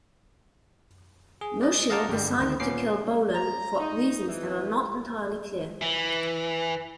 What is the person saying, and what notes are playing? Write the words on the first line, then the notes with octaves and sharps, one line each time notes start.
Mosheel decided to kill Bolon for reasons that are not entirely clear.
G#4
D5 D#5
D#5 F5 F#5 A5 A#5 D6
G2 D3 G3
D2 D#3
A#2 B3 C#4 D6 C7
A#5
D#4
E3
E3